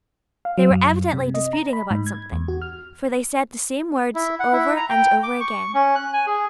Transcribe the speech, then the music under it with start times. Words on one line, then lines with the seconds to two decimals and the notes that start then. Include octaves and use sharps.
They were evidently disputing about something, for they said the same words over and over again.
0.45 F5
0.58 F#3
0.71 F#2
1.13 C3
1.34 D#5
1.53 A#5
1.73 B5
1.91 G#2
2.07 G#6
2.32 E2
2.48 F#4
2.62 F6
4.15 E4
4.40 F#5
4.53 E4
4.77 A#5
4.90 G5
5.23 D6
5.41 C#6
5.74 C#4
5.95 F#6
6.14 G#5
6.27 G#4